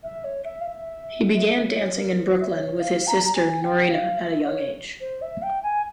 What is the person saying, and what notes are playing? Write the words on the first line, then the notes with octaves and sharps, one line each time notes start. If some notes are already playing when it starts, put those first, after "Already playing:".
He began dancing in Brooklyn with his sister Norina at a young age.
E5
C#5
E5
F5
E5
C#5
A#4
C5
E5
C#5
F5
A#5
A#5
G#5
G5
F5
E5
C#5
C5
E5
G5
G#5